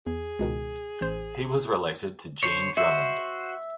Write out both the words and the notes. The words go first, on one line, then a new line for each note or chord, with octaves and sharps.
He was related to Jean Drummond.
E2 G#4
C#2 B2 D#3
A1 C5
D3 C5 C#5
F#4 C5 E5